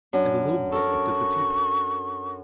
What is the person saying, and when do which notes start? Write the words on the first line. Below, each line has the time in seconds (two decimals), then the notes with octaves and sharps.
And the little boy looked at the tea-pot.
0.13 F#2 D4
0.72 A4 A#4 C#6